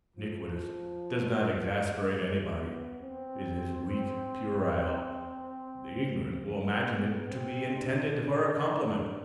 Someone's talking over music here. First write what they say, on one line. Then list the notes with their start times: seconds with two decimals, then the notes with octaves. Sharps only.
'Iniquitous' does not exasperate anybody; it is weak--puerile. The ignorant will imagine it to be intended for a compliment.
0.16 F3
2.06 G#3
2.53 B3
3.01 C4
6.81 B3
7.29 C4
7.76 D4